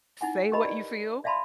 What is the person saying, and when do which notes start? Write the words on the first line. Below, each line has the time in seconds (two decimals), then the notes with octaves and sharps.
say what you feel,
0.21 D#4 E4 F#5 G#5
0.52 G4 A#4 B4 D#5 A#5 B5
0.65 D5
1.24 D5 E5 F5 A5 B5 C6